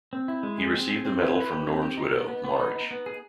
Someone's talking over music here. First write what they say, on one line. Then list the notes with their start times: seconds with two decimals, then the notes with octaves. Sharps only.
He received the medal from Norm's widow, Marj.
0.13 C4
0.28 E4
0.43 G#3
0.58 G#4
0.74 C4
0.89 G#4
1.05 C4
1.20 E4
1.36 B4
1.51 G4
1.67 C4
1.82 G4
1.97 D#4
2.13 B3
2.28 B3
2.44 B3
2.59 D#4
2.76 D#4
2.91 B3
3.06 G#4